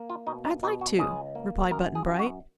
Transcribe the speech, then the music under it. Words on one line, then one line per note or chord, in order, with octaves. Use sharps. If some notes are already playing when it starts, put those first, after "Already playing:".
"I'd like to," replied Button-Bright.
Already playing: A#3
F4
B2 D#4
D#4
B2 D#4
F#4
C#2 G#4
A#3
F#2 A#4
G#4
F#2
F#4